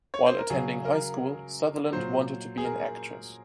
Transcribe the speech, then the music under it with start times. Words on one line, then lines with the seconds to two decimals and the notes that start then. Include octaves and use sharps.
While attending high school Sutherland wanted to be an actress.
0.14 C#5
0.26 C5
0.38 A#4
0.50 C#3 F#3 G#4
0.85 A#4
1.92 A#2 F#3 C5
2.58 G#4
2.64 A#4